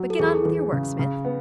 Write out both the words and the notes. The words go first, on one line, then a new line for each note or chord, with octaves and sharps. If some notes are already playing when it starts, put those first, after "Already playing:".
But get on with your work, Smith.
Already playing: F#3
A4
E2 G#4
E3
C#3
C#3
B3